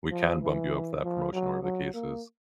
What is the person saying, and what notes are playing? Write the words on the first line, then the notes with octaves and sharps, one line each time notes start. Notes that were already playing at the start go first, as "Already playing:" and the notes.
we can bump you up for that promotion," or whatever the case is.
F3
E3
F3
F#3
F#3
A#3